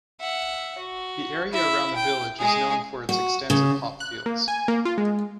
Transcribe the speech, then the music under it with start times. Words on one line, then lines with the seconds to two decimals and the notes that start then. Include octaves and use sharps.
The area around the village is known for its extensive hop fields.
0.21 E5 F#5
0.78 F#4
1.52 E4 E5
1.96 G5
2.39 G#3 G#4
3.09 F#4
3.50 C#3
4.00 F#6
4.26 A#3
4.48 G#5
4.68 A#3
4.85 F4
4.98 G#3